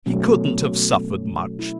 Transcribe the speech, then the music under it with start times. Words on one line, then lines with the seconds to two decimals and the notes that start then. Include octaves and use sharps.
He couldn't have suffered much.'
0.06 B2 F#3 A3 C#4
1.59 E4